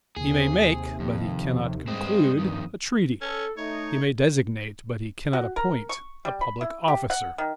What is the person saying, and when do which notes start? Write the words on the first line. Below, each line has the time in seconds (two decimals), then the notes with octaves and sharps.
He may make, but he cannot conclude, a treaty; he may designate, but he cannot appoint, a public officer.
0.17 D#2 C3 G#4
1.00 F2
1.88 G2 G#3 C4 D#6
2.39 F2 D#3
3.22 C#4 A4
3.57 A3 D#4 C#5
5.33 F#4
5.56 A#4
5.89 C#6
6.25 G3
6.41 B5
6.61 E4
6.88 G4
7.10 F#5
7.38 D#3